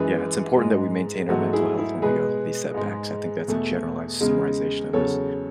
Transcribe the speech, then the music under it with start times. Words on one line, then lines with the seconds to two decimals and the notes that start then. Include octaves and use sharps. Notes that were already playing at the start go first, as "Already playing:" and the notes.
Yeah, it's important that we maintain our mental health when we go through these setbacks, I think that's a generalized summarization of this,
Already playing: F#2 E3 G#3 G#4 B4
0.56 G#3
0.62 G#2
1.29 G#2 F#3 A3 F#4 A4
1.53 E4 G#4
1.77 E4 G#4
2.02 B2 G#3 G#4 B4
2.74 G#2 G#3
3.48 E2 B2 A3
4.20 E2 C#3 G#3
4.93 E2 C#3 F#3 A4 C#5